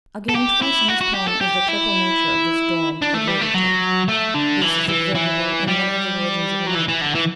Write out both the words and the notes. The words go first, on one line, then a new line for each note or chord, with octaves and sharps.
Again, twice in this poem is the triple nature of the storm adverted to. This is observable in many of the religions of America.
A4
G4
E4
F#4
F#4
G4
A4
G4
E4
D4
A3
G3
A3
F#3
A3
D3
E3
E3
E3
G3
F#3
E3
E3
D3
E3